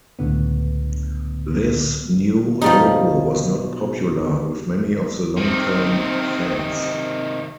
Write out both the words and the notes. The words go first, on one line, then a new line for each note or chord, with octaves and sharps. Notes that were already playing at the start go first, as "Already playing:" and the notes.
This new logo was not popular with many of the long-term fans.
C#2 A2 D3 B3
B2 F3 G3 D#4
C3 D#3 C4